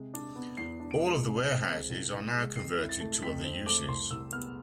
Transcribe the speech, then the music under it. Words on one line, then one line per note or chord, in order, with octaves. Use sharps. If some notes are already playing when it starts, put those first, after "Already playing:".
All of the warehouses are now converted to other uses.
Already playing: C3 G#3
D4
B3
E2 C7
D4
D7
G#3
C3
C4
G#3
C2
C2
G#3
F2 C7
E4
A6
A3
F2 B6
C4
A3 D6
C2 C6
C2 E6
B3 F6